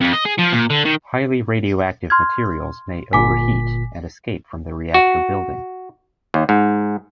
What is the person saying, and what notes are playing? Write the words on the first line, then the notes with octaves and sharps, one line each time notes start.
Highly radioactive materials may overheat and escape from the reactor building.
F2
D#5
G#4
F3
A#2
D3
D#3
C6 F6 G#6
G1 A#2 G#5 D6 B6
F#4
D#2
G#2